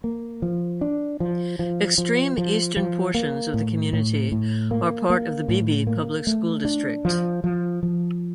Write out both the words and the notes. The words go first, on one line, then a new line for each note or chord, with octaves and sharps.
Extreme eastern portions of the community are part of the Beebe Public School District.
A#3
F3
D4
F3
F3
F3
F3
F3
A#3
A2
A2
A2
A#3
A#3
A2
A#3
A3
D4
F3
F3
F3